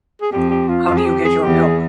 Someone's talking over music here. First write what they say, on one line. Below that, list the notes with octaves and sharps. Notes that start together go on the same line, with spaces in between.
How do you get your milk?
G#4
F2 G4
G4
F4
F2 F4
G#4
G4
G#4
E2 G4
G#4